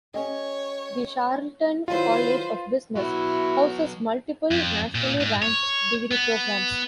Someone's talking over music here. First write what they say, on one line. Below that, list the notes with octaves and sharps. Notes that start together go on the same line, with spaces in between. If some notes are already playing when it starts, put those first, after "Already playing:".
The Charlton College of Business houses multiple, nationally ranked degree programs.
C#4 G4 C#5 D#5
D#3 F#3 E4 F4 B4 C5
F#3 B3 E4 F#4
F2
A#2
G#2
C#5
B3